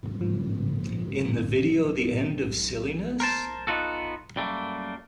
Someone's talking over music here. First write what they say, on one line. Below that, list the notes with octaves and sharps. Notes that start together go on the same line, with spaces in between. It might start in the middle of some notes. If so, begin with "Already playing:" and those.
In the video The End of Silliness?
G#2 F3
A#4 C5 A5
B3 D#4 F4 F#4 A4
F#2 G3 A3 A#3